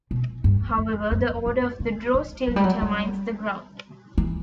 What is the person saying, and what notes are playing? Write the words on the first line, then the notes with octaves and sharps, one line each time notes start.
However the order of the draw still determines the ground.
B2
G2
F#2
F#2
G2
D3
E3
F#3
G3
F#3
G3
E3